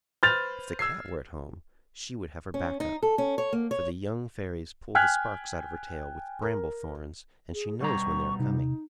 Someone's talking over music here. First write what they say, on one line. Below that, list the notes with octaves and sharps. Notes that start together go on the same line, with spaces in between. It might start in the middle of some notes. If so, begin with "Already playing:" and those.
If the cat were at home, she would have her back up; for the young fairies pull the sparks out of her tail with bramble thorns, and she knows when they are coming.
B4 C5 F6 G6 A6 F7
E6 G#6 C7
C#4
D#4
A4
C#4
C#5
A#3
C#5
G5 G#5 F6 F#6 G#6 B6
A#4
G#4
B2 G3 A#5 C#6
C3 D#4